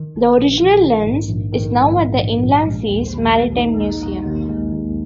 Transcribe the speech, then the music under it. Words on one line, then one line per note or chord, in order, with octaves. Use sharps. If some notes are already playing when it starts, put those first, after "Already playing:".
The original lens is now at the Inland Seas Maritime Museum.
Already playing: D#3
A#1
A#1
A#1
D#3
G#2
A#1
D#3
G#2
A#1
A#1
A#1
G#3
D#2
D#2
D#2
D#4
D#4
D#4
D#2
G#3
D#2